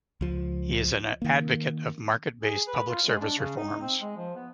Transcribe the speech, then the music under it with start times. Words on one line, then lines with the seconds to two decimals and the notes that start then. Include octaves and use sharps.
He is an advocate of market-based public service reforms.
0.21 C#2 F3
1.22 D#3 A#3
2.43 G#4
2.68 B4
2.89 F4
3.07 G#3
3.21 D4
3.38 C#3
3.57 D#4
3.81 C4
4.02 G#3
4.17 F3
4.36 B3